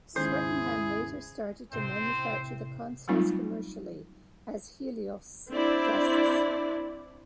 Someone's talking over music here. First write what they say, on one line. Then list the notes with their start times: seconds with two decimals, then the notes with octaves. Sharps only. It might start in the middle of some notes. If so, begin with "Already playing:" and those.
Swettenham later started to manufacture the consoles commercially as Helios desks.
0.16 D#2 G#2 C#3 E4 G#4 C5
1.72 A2 C3 C4 C5
3.08 F#3 G3 A3 C4 D#4 F4
5.52 C4 D4 E4 D5